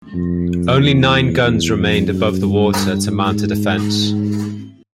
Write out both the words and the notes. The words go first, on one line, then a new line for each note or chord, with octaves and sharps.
Only nine guns remained above the water to mount a defense.
F2
E2
E2
F2
F#2
G2
G2
G#2